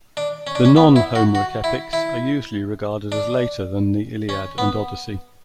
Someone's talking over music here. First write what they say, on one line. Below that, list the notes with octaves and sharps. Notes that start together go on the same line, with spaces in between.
The non-Homeric epics are usually regarded as later than the "Iliad" and "Odyssey".
D4
C#4
D4
C#4
B3
E4
F#4
F#4
E4
E4
D4
C#4
B3